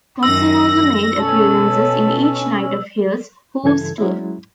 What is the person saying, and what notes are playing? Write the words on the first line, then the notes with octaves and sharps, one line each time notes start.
Thompson also made appearances in each night of Hill's "Hooves" tour.
F#2 D#3 E6 A#6
B2 C#4 A4
G2 C#3 E3 A4 G#6
F#3 G#3 C#4 E4